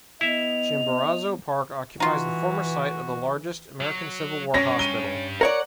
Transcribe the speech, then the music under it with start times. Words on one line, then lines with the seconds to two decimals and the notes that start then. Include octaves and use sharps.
Chimborazo Park occupies the former site of the largest American Civil War Hospital.
0.21 B3 E4 D#5 E5 F7
2.00 E3 D#4 F4 F#4
3.81 F#3
4.54 G2 C#4 A#6
4.79 D#7 G7
5.41 A#4 C#5 D5 F#5